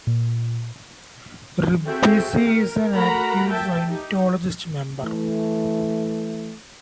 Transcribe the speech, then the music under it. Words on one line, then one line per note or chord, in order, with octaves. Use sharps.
Ribisi is an active Scientologist member.
A#2
C4 F#4 G#4 A4 E5 G5
A#4
A3 F#4 A#4 F#5 A#5 B5
E5 G5 A5
D#4 G4
E3 A3